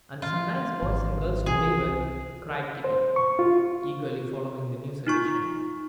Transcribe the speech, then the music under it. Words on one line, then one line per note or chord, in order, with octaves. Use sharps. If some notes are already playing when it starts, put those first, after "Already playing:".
"And some nice boys and girls to play with," cried Kitty, eagerly following the new suggestion.
F4
G#1
C2 C3 E3 G#4
C5
C#6
F4
D#4 F4 C#6